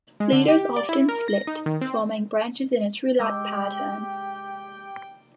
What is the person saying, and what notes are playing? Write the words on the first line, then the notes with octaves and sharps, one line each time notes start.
Leaders often split, forming branches in a tree-like pattern.
G#3
D3
G4
D5
E4
A#4
A#6
D#4
D#3
C4
G#3 G4 G5 D6 E6